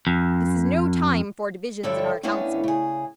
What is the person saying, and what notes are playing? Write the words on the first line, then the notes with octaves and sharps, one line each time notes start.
This is no time for divisions in our councils.
F2
G2 D3 G3 A4 C#5 E5
A2 A3 B3 C#4 D4 F5
C#3 G#4